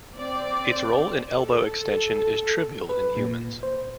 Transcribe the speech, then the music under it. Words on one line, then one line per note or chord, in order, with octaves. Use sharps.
Its role in elbow extension is trivial in humans.
C4 D5
A4
B4
A#2
C5